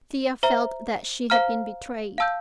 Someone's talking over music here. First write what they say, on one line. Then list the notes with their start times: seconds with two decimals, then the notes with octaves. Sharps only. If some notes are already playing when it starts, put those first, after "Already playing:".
Thea felt that she had been betrayed.
0.43 C5 E5 A#5
1.30 C5 F5 A#5 F6
2.18 F5 A5 E6 G6